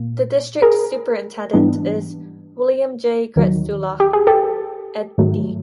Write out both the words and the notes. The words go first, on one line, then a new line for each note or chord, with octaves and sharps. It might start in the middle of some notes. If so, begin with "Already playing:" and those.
The district Superintendent is William J. Gretzula, Ed.D.
Already playing: A#2 A#3
G#4 A#4
G#2 E3 G3 B3 D4
D#2 D#3 F#3
G4
G#4
G4 A4
G#2 D#3 F#3 A3